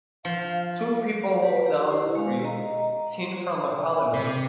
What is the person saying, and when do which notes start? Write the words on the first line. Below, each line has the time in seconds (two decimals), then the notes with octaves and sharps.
Two people walk down the street, seen from a alleyway.
0.25 F3 F5
1.42 G4 B4 D5
1.66 G4
1.91 E4 C5
2.15 G#3 F5
2.45 D#5 A#5
4.13 C3